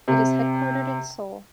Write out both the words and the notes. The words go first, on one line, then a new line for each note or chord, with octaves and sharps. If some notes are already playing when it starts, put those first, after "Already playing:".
It is headquartered in Seoul.
C3